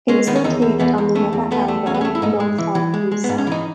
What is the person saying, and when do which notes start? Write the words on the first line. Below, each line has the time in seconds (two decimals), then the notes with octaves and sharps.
It is located on the river Elbe, north of Riesa.
0.08 G#3 C#4
0.27 D#3 B3
0.35 C#4
0.44 E2 D#4
0.62 E2
0.80 E2 B3
0.98 E2
1.15 A3 C#4
1.33 E2
1.52 A3 B3
1.68 A3
1.86 E2 C#4
1.94 B3
2.01 C#4
2.05 A3
2.15 E4
2.22 G#2 D#4
2.40 G#3
2.58 E3
2.75 E3
2.94 G#3
3.12 G#3
3.24 B3
3.29 G#2
3.38 C#4
3.47 E3 D#4